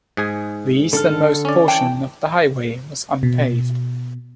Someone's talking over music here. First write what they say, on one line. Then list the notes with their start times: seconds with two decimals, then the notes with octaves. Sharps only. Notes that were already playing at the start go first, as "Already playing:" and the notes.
The easternmost portion of the highway was unpaved.
0.17 G#2 G#4 G#5
0.93 D3 D4 A4 F6
1.45 C#4 D5
1.68 E3 G5 A5
3.23 B2